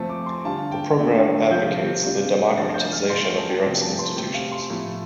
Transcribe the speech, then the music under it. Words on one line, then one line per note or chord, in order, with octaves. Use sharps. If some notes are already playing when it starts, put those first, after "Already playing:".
The program advocates the democratisation of Europe's institutions.
Already playing: F3 A3 C4 A5
D6
C6
D3 G3 F4 A5
G5
D3 A3 D4 F4
C3 F3 C4 F4 G6
C3 G3 D4 F4
F3 A3 D4 F4 A6
G6
F6
F3 A3 F4 C6
A5
G5
C3 F3 A3 C4 G5
A5
C6
C3 A3 C4 G5
F5
C6
A2 F3 A3